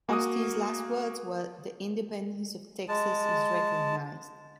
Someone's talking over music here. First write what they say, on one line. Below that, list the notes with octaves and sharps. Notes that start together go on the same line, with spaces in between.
Austin's last words were The independence of Texas is recognized!
A#3 F#4 D6 D#6
G#3 A5